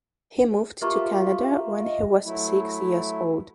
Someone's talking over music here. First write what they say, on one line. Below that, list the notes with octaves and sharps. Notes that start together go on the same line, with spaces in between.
He moved to Canada when he was six years old.
A3 A#3 F4 G4
D#5
F#3 A3 E4